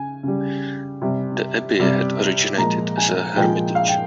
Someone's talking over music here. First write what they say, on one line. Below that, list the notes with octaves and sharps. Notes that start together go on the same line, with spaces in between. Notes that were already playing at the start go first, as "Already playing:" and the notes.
The abbey had originated as a hermitage.
Already playing: C#3 G#5
C#3 G3
C3 G3
C3 G3
A#2 F3 G#3 A#5
G#5
A#2 F3 G#3 G5
F5
G5